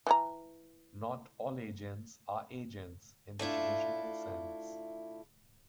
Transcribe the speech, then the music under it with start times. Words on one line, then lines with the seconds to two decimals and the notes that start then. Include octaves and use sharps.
Not all agents are agents in the traditional sense.
0.07 E3 F#4 A#5
3.39 A3 D4 E4 F4